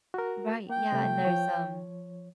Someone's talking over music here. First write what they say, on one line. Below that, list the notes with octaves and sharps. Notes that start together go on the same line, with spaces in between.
Right, yeah, and there's, um
F#4 A#4
A#3 G5
C3 G3 A3
F3 C#5